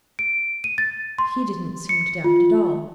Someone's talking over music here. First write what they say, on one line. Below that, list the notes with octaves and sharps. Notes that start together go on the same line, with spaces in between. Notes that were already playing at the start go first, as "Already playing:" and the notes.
"He did'nt seem to doubt it at all."
D7
D#7
A6
C6
C#7
F4